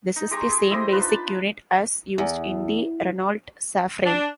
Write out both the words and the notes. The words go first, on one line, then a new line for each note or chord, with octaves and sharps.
This is the same basic unit as used in the Renault Safrane.
D#4
G#3 G4 A#5 C#6
G#4
E4 G4 C5 D#5
D4 D#4 F4 B4
A5
E2
D4